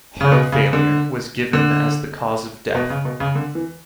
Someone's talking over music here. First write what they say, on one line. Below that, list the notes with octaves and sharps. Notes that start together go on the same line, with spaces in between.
Heart failure was given as the cause of death.
C#3
B2
C#3
D3
D3
B2
C#3
B2
C#3
D3
E3